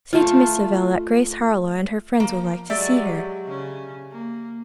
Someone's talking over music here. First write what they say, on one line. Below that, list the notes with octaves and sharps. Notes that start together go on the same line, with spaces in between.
"Say to Miss Savell that Grace Harlowe and her friends would like to see her."
A3 F4
F3 A#3
F#3 G#3 G4 D5 E5
C#3 C#4
A#3